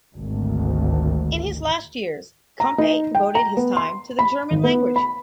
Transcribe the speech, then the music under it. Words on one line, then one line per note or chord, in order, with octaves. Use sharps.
In his last years, Campe devoted his time to the German language.
G#1 D2
A#5
D#4
G5
A#5
B3
C6
B5
G#1
B3
B5